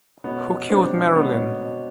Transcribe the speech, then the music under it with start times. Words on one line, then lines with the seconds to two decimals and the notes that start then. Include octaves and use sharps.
Who Killed Marilyn?
0.24 B2 B3 C#4
0.47 B2
0.70 B2 C4 D4
0.92 B2
1.15 B2 B3 C#4
1.38 B2
1.61 B2